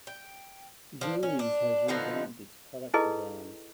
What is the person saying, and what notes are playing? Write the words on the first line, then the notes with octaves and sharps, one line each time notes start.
Julie’s has revamped its product designs.
G5
F3 D4
C#4
D4
D3 F3 B3 D#4
D#4 E4 G#4 A4 B4 D#5